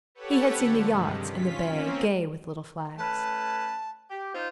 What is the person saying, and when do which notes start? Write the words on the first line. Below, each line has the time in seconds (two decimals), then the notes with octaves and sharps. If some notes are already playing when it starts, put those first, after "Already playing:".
He had seen the yachts in the bay gay with little flags.
0.15 G4 A4 B4 C#5 F#5
0.55 D3 F3
0.86 G2 C3 D#3 G3 G#3
1.26 C#4 F4 B6
1.67 A#3 C4 C#4
2.98 A3 C#4 B4 A5
4.10 G4
4.32 D#4 F4 C5